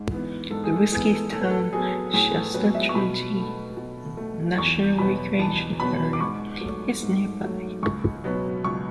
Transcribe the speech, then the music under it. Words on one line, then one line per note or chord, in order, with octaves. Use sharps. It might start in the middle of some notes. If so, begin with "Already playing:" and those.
The Whiskeytown-Shasta-Trinity National Recreation Area is nearby.
Already playing: G#2
E3 B3
G#2 A4
G#4
A4
E3 B3 G#4
A4
A2 A4
B4
A4
F#3 B3 G#4
A2 G#4
A4
F#3 B3 B4
E5
C#6
B2 B5
A3
B2
A3
E2 C#6
B2 F#3 B3 B5
E2 A5
B2 F#3 B3 B5
D6
G#2 C#6
F#3 A3
G#2
F#3 A3
C#2 C#6
B2 F#3 B3
C#2 C#6